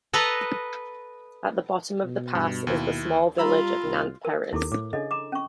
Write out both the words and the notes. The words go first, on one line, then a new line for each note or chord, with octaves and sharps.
At the bottom of the pass is the small village of Nant Peris.
A4 B4 D#5 A5 A#5
B2
G2
D#2 E4
G3 F4 A#5 B5 E6
C2
A#4
D#2 E4 A4 D6
A2 D6
C#3 D4 A4 D#5
A#5 D6
C#4 C#6